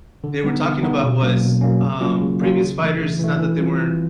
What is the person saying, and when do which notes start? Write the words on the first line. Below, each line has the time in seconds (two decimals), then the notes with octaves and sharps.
they were talking about was, um, previous fighters it's not that they weren't
0.24 D3
0.44 G3 B3 D#4
0.64 D3
0.83 G3 B3 D#4
1.03 B2
1.22 F#3 A#3 C#4
1.43 B2
1.61 F#3 A#3 C#4
1.82 C#3
2.01 F#3 A#3 C#4 F4
2.21 C#3
2.41 F#3 A#3 C#4 F4
2.60 C#3
2.79 E3 A3
2.99 C#3
3.19 E3 A3
3.39 E3
3.59 G3 C4 F4
3.79 E3